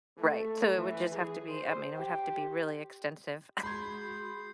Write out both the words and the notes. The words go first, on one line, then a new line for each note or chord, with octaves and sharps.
Right, so it would just have to be I mean, it would have to be really extensive.
A3
E3
G#4
C5
G4
G#3 F#4 G#4 B5 C6 G6 G#6 C7